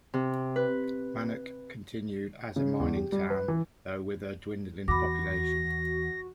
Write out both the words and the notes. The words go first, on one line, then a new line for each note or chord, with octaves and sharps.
Bannack continued as a mining town, though with a dwindling population.
C3
B4
C#3
E2
G4
G3
B4
E3
E2 F#4 B5 D6 A#6